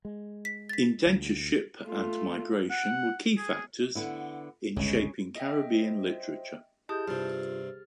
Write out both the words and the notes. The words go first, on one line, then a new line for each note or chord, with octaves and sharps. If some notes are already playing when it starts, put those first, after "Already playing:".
Indentureship and migration were key factors in shaping Caribbean literature.
G#3
B6
A6 B6
D2
A3 F4
F#5
G#4
D3 B3 E4
G1 C#2 C#3 G#3
D#5 E5 G5
C5
E4 G4 G#4 D#5 A5 D#6 G6
G2 C3 F4 F6 A6